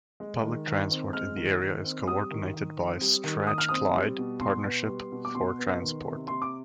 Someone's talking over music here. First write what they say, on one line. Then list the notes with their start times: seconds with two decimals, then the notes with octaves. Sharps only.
Public transport in the area is coordinated by Strathclyde Partnership for Transport.
0.20 G#3
0.43 D#3
0.68 D#3
0.91 C4
1.13 G#3 F6
1.37 D#3
1.60 D#3
1.84 C4
2.07 G3 D#6
2.31 D#3
2.54 D#3
2.77 C4
3.01 G3
3.24 D#3
3.47 D#3 D#6
3.58 F6
3.69 C4 D#6
3.95 G3
4.18 B2
4.41 B2 C6
4.64 B3
4.87 G3
5.12 B2
5.25 D6
5.35 B2 C6
5.58 B3
5.82 D#3
6.04 C3
6.28 C3 C6
6.42 D6